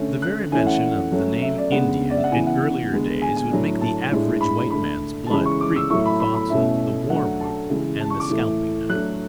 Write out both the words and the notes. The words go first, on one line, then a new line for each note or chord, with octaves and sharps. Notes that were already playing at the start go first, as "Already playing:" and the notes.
The very mention of the name "Indian" in earlier days would make the average white man's blood creep with thoughts of the war-whoop and the scalping-knife.
Already playing: D3 A3 C#4
F#6
E3 A3 C#4 E4 G#5
F#5
F#3 A3 C#4
E5
D5
C#3 G#3 B3 D4 F#5
D5
E5
F#5
C#3 E3 B3 E4 G#5
F#5
D3 G#3 B3
G#5
G#5
A2 F#3 A3 D4
A5
A2 G#3 D4
B5
D3 A3 D4 B5
A5
C#3 E3 G#3 C#4 B5
C#6
D6
E6
A2 F#3 A3 E4 C#6
B5
B5
B5
B2 A3 C#4 E4 E5
F#3 A3 D4 F#5
A5
C#3 E3 G#3
A5
C#6
D6
A2 E3 A3
F#3 A3 D4 F#6